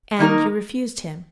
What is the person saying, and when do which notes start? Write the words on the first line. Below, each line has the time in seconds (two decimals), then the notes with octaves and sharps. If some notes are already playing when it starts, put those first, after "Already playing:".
'And you refused him?'
0.19 D#3 A#3 D#4 A#4